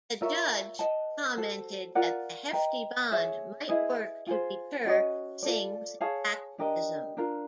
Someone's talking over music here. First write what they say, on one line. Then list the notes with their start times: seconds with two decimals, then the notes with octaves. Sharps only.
The judge commented that the "hefty bond" might work to deter Singh's activism.
0.21 F4 A#4 C#5 E5
0.79 B4 D#5 F#5 A5
1.37 F#4 A4 C5
1.95 F4 A#4 D5 F#5
2.53 B4 D#5 G5 A#5
3.11 G#4 C#5 E5
3.69 E4 G#4 B4 D#5
4.27 F4 G#4 C5
4.85 C#4 F#4 B4 D#5
5.43 F4 A4 D5
6.01 G#4 C#5 F5 A5
6.58 D4 G4 A#4 D#5
7.17 D4 F4 A#4